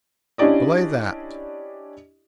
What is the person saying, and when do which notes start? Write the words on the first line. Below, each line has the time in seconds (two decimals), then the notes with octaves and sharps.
"Belay that!"
0.38 C#4 D4 E4 G4 D5 D#5